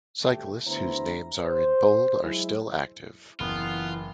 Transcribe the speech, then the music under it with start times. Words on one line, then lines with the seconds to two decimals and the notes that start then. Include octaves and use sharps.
Cyclists whose names are in bold are still active.
0.24 G1 D2 A3 G4
0.66 D2 B3 E4 C5 A#5
1.37 C5
2.23 F#3 G#3 E4
3.40 F#1 E3 B3 F4